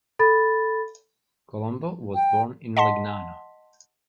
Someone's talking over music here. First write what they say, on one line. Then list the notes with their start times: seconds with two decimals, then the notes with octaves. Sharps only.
Colombo was born in Legnano.
0.19 A4 B5 A6
2.15 G5
2.77 D#5 F#5 A5 C6 B6